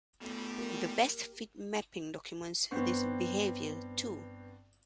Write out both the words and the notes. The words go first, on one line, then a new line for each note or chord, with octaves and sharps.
The "best fit" mapping documents this behavior, too.
B2 G3 A3
A#3 G4 A#4
G2 B3 C4 C#6